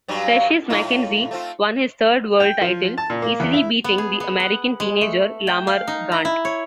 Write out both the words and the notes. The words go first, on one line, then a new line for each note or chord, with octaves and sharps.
Precious Mackenzie won his 'third' World title, easily beating the American teenager, Lamar Gant.
G2 F#3 G3
A2 D#4 F4
A3 C4 F4
G5
F3
A5
A#2
A#3
E2
E4
B3
G#4
B3
F#5
G#3
A3
G5
F5
D#4
A#5
E4
C#5